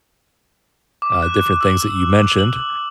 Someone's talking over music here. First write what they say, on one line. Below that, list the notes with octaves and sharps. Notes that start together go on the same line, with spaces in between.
uh, different things that you mentioned,
D6
F#6
E6
F#7